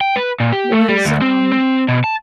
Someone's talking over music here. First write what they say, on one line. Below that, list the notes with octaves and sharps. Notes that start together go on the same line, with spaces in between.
was, um
G5
B4
A#2
G4
A3
G3
D2
C4
C4
B2
A5